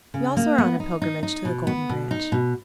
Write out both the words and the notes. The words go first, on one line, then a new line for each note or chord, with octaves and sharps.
'We also are on a pilgrimage to the Golden Branch.'
C#3
A#3
B3
D#4
D#4
D#4
B2
B3
B2
D#4
B2